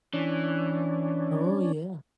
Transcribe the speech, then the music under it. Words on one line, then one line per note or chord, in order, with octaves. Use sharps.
Oh, yeah.
E3 C#4 D4